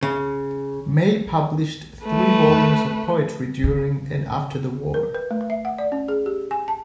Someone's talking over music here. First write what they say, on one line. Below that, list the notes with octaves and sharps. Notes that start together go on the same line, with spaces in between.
May published three volumes of poetry during and after the war.
C#3
A3 B4
C#3
A#4
B4
A3
E5
F#5
D5
C#4
G#4
G4
G#5
A5